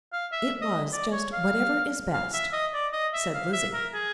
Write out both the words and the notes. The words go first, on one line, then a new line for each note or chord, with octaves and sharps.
"It was just whatever is best," said Lizzie.
F5
E5
D#5
D5
C#5
F5
F5
E5
D#5
D5
D#5
E5
F5
E5
A#4
G#4